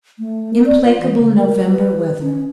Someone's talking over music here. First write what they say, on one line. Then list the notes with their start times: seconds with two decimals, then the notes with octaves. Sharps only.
Implacable November weather.
0.19 A3
0.53 A#4
0.66 D5
0.84 F4
1.01 E3
1.20 C#3
1.38 A#4
1.69 B4
2.21 C#4